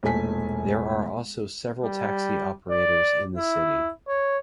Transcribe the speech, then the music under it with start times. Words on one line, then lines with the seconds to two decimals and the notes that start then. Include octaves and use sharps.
There are also several taxi operators in the city.
0.03 E1 A#1 A3 G#5 B6
1.84 G3
2.71 D5
3.37 E4
4.08 C#5